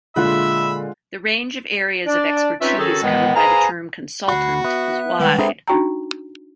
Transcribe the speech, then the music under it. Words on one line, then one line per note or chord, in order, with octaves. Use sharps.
The range of areas of expertise covered by the term "consultant" is wide.
A#2 D3 G#3 F4 E5 B5 E6 F#6
D4 D5
C4 C#4 D#4 F4 B4 E5
D#3 C#4 F#4 G#4 A4
A2 D#3 E3 G#3 B3
G#4 B4 C5 F5 G#5 A#5
D2 F#4 B5 F#6 C7
B3 E5 F#6
D#3 G3 G#3 B4 F#5 G5
G#3 C4 D4 G#4 A4 E5 A#5 B5
D4 D#4 F#4 G5 A#5